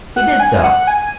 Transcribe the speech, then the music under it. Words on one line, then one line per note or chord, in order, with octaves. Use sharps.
He did so.
F#5
G#5
F#5
G#5